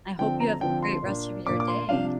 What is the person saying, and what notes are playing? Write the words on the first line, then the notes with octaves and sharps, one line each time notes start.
I hope you have a great rest of your day.
D3 F3 C4 G5
A#5
D3 F3 C4 G5
C6
A#2 A#3 D4
A#2 A#3 D4 D6
D6
C6
C3 F3 D4 F5